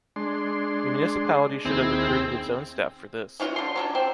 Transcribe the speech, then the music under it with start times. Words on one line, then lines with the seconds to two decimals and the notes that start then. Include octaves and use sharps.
The municipality should have recruited its own staff for this.
0.16 G#3 D4 C6
1.65 D#2 C4 E4 G#4
3.40 E3 C#4 F4 F#4
3.56 D3 C6
3.76 F#3 C#4 D4
3.95 C4